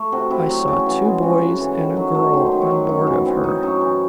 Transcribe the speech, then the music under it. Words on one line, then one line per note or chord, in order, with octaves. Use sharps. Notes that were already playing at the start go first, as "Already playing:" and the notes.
"I saw two boys and a girl on board of her."
Already playing: A3
C3 F#4
C3 E4
F#3
C#3
E3
G#3
C4 F#4
C#3
A4
E3
D#3
F#3
A3
D#3 C5
D#3
C#5
F#3
F#2
E3
C4
D#4
F#2
E3